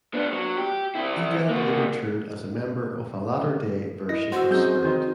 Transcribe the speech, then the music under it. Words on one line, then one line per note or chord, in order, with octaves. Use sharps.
Egan later toured as a member of a latter-day version of Spirit.
B3 D4
F#3
G4
C3 E4
A#3 F#4
E4 D#5 A#6
F#4 C5 F#5 C6 E6
F#2 C4 D#4 G#4 G6
D#3 D#4